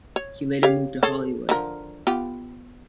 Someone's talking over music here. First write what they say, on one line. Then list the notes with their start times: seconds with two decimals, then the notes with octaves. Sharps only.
He later moved to Hollywood.
0.16 C#5
0.63 G4 C#5 F5
1.03 G#4 A4 C#5
1.49 D3 F3 A#4
2.07 B3 F4 G4